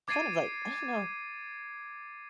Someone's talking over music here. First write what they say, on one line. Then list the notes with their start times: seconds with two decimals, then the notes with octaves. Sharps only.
kind of like, I don't know,
0.08 D6 G#6 A6 C7 D7 D#7